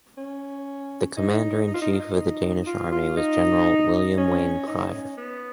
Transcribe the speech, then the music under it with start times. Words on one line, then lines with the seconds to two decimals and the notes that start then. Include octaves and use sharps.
The Commander in chief of the Danish army was General William Wain Prior.
0.18 C#4
1.17 D#4
1.67 D#4
1.74 F4
1.82 D#4
1.92 D#4
2.67 F4
2.92 F4
3.17 D#4
4.18 C#4
4.67 D#4
4.92 C#4
5.17 B3